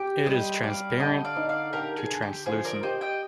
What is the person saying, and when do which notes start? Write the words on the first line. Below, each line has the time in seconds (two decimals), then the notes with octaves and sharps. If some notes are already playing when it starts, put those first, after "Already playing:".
It is transparent to translucent.
Already playing: G4 G5
0.26 G3 C5 D#5
0.63 G3 D5 F5
1.00 D3 D#5 G5
1.25 D5 F5
1.36 D#4
1.49 D5 F5
1.73 D3 G4 A#4
1.97 G#4
2.10 D3
2.22 G4
2.46 F3 G#4
2.65 A#4 D5
2.83 G4 C5 D#5
3.01 D#5 G5